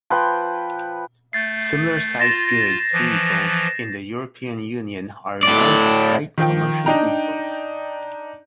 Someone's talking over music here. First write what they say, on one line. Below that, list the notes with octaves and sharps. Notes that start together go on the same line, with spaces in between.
Similar sized goods vehicles in the European Union are known as light commercial vehicles.
F3 B4 G5
A3 G6 A6 C7
F4 A6 A#6 E7
E3 F3
A2 D5
D#3 F3 G5
D4 D#4 G5 A#5